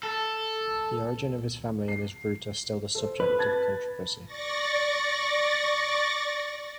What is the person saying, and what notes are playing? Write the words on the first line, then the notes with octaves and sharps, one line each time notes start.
The origin of his family and his route are still the subject of controversy.
A4
C7
A4 C5
B4
A5 G#6 A6
D5 C#6 A6 A#6